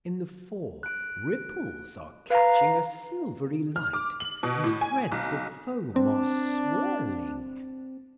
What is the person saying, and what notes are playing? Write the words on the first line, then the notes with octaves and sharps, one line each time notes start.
In the fore, ripples are catching a silvery light, and threads of foam are swirling.
F#6 D7
B4 F5 A#5
F6
D6
F#7
B2
A2
G#5
B1
C4 D4